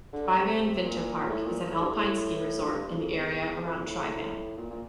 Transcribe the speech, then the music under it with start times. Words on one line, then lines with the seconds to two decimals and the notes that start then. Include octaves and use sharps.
Tryvann vinterpark is an alpine ski resort in the area around Tryvann.
0.13 D3
0.37 C3
0.84 A#2
1.29 A2
1.45 A#2
1.61 A#2
1.71 A2
1.81 G2
1.91 A2
2.65 F2
2.70 G2
2.88 E2
2.94 F2
3.16 E2
3.63 F2
3.81 A#2
3.86 A2
4.57 A#2
4.70 A#2